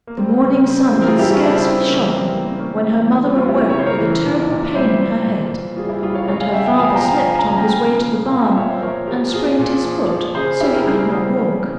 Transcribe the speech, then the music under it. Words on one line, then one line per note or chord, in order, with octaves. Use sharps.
The morning sun had scarcely shone when her mother awoke with a terrible pain in her head, and her father slipped on his way to the barn and sprained his foot so he could not walk.
A#3
G3 C4
C#3
C#3 C4
C4
E3 C4
A#4
F4 G#4
G3 E4 G4
C#4 F4
C#3 C4 E4
C4
C#3 C4
A#3 C#4
E3
A#3
G3 C4
A#3
C#3 C4
A#3 C#4
C#3
E3
G3
C#4 F4
C#3 E4 G4
E5
C#5
C#3 C5
A#4 C#5
E3
A#2
A#2
G3 C5 E5
G3
A#2
A#2
G3 F4 G#4
E4 G4
G3 F4 G#4
C#5 F5
C#3 C#5 F5
F5 G#5
C#3 E5 G5
E5 G5
F3 F5 G#5
G5 A#5
F3
F5 G#5
C#3
A#5
G#5
C#3 G5 A#5
F3
F3
A#2 F5 G#5
E5 G5
A#2 C#5 F5
C5 E5
F3 A#4 C#5
F3 G4 A#4
A#2 F4 G#4
A#2
F3
F3
C#3 G#4 C5
C#3 E4 G4
G4 A#4
G3 G#4 C5
G3 G#4 C5
C#3 A#4 C#5
C#3